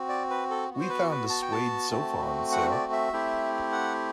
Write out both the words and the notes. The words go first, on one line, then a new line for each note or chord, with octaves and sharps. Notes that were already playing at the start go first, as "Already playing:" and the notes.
We found a suede sofa on sale.
Already playing: C4 F#4
D5
B4
A4
B3 F#4
C5
B4
B4
A5
G5
A5
A3 C4 F#4
F#5
D5
E5
A3 C4 E4 G4
F#5